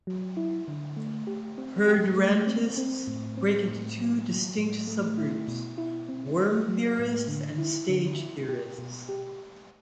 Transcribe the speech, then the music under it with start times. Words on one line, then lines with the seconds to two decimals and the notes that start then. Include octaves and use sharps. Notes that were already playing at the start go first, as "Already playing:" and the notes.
Perdurantists break into two distinct sub-groups: worm theorists and stage theorists.
0.07 F#3
0.37 E4
0.68 D3
0.97 A3
1.27 G4
1.58 C4
1.88 G4
2.17 A3
2.47 C4
2.77 C4
3.07 A2
3.37 C4
3.68 A2
3.97 F#3
4.28 F#3
4.58 A2
4.87 A3
5.18 E4
5.48 B2
5.78 E4
6.09 C4
6.39 F#4
6.68 F#3
6.99 A2
7.28 D3
7.58 E4
7.89 D3
8.19 E4
8.49 G4
8.79 B2
9.09 G4